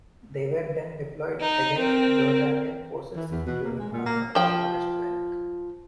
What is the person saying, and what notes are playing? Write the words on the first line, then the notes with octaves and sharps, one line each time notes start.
They were then deployed against Jordanian forces, including armour, on the West Bank.
D#4
C4 A#4
E3
E2
B2
A#3
G#3
A#2
A#3
F3 G5